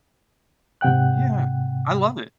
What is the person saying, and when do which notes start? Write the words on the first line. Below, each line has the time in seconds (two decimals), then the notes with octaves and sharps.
Yeah, I love it.
0.81 G#2 C3 F#5 G5 F#6